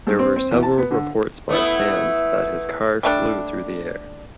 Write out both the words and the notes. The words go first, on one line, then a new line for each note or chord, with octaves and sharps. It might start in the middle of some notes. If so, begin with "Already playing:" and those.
There were several reports by fans that his car flew through the air.
G2
C4
C4
E2
A5
B3
D3
A3 B3 E4
G3 A3 D4